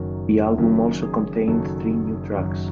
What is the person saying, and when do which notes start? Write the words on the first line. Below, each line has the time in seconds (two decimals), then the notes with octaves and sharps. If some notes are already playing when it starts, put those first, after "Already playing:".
The album also contained three new tracks.
Already playing: F#1 F#2 D#3 F#3 A#4
0.57 F#1 F#2 D#3 F#3 A#4
1.02 G#4
1.47 F#1 F#2 D#3 F#3 A4
2.37 F#1 F#2 D#3 F#3